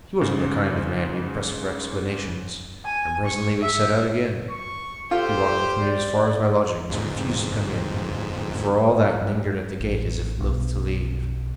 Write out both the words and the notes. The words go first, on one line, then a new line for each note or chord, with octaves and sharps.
He wasn't the kind of man you'd press for explanations, and presently we set out again. He walked with me as far as my lodgings, refused to come in, but for all that lingered at the gate as if loath to leave.
G#2 C#3
G#5
C#6
E5
C#6
F4 G4 A4 C5
D5
G1 F2 G#2
G2
A1
B1